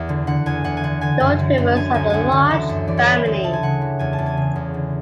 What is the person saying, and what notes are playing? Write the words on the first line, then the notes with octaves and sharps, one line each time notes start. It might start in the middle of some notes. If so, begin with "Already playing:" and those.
Lord Rivers had a large family.
Already playing: E2 E5
D3
D3 F#5
E2 G#5
E2 F#5
G#5
D3 F#5
D3 G#5
F#2
D3
F#2
D3 G#5
D2 G#5
D2 F#5 G#5
D3
E3 E5
F#2
E3 D5
C#5
E3 D5
D2 E5
C#3 A5
G#5
C#3 F#5
E3
E2 G#5
A5
E2
G#5
C#3
E2
D3